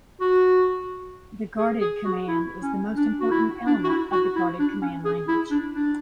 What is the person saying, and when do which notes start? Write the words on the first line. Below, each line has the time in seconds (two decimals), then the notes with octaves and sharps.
The guarded command is the most important element of the guarded command language.
0.20 F#4
1.58 G#4
1.81 G#4
2.05 F#4
2.28 E4
2.62 C#4
2.96 D4
3.20 F#4
3.31 E4
3.66 D4
3.84 F#4
3.89 E4
4.12 F#4
4.36 E4
4.59 D4
4.81 C#4
5.05 G#4
5.28 E4
5.51 D4
5.74 D4